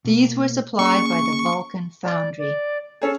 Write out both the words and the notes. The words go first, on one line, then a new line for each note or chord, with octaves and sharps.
These were supplied by the Vulcan Foundry.
B2 A#3
A#3 C#4 G#4 C#6
D5
D5
C#4 G#4 A4